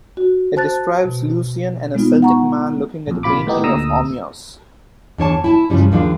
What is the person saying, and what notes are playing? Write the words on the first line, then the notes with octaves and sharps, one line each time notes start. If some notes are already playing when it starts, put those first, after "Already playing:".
It describes Lucian and a Celtic man looking at a painting of Ogmios.
F#4
C5 A5 F#6 A6
B2
G#3 B3 D#4 F4
F#5 A#5 C#6
A#1 F2
A#1 C3 F4 B5 D6
A2 B3 D#4 G4
D2 A#2 D3 A#5 D#6 E6
E2 D4 C#5 A5
E4 A5
G2 C#3 F3 G3 C#4
D#2 F3 D4 G#4 F5